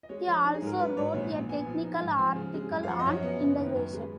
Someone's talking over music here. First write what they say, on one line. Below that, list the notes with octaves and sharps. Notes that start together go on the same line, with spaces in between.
He also wrote a technical article on integration.
D#5
G#3 C#5
F3
D#4
G#4
G#2 A#4
F#3 B4
G#2 C#5
A#1
A#1
B3 G#5
F3
D#4
G#2
F3 G#5
C#3
G#3
F#2
F5
F3 F#5
D#5
F#2 C#5
B3
F#1
D#3 B4
F#2
G#3